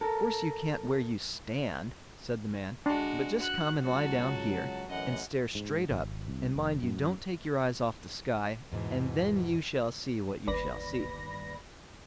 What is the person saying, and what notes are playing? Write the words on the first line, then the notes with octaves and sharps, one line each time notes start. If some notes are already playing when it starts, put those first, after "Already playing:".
'Of course you can't where you stand', said the man; 'but just come and lie down here, and stare straight up, and mind you don't take your eyes off the sky; and then you shall see what you shall see.'
A4 A#4
G#3 D4 F#4
F#4 F#6
C#2 F#3 F#4 A5
A1 F#2 D#5 F#5
G#2
G#1
C2
F1
F#2
E2 G#2 B2 E3
G1 D#2 B4 D5 B5 A#6